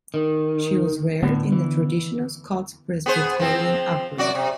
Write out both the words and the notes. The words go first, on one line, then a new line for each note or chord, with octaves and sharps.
She was reared in a traditional Scots Presbyterian upbringing.
D#3
A2 D3 B3
E3
B3 G#4 C5
F3 C4
F#2 F#4 D5
C3